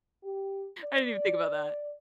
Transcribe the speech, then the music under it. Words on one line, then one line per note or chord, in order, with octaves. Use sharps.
didn't even think about that.
G4
D5